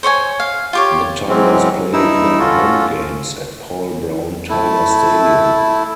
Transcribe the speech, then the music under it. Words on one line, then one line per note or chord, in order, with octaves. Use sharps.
The Tigers play their home games at Paul Brown Tiger Stadium.
C5 C#5 D#5 G#5
F5
F4 G4 C#5
E3 F#3 G#3 C4 C#4
G2 D#4 E4 E6
C#4 F4 F#4 A4
A3 E4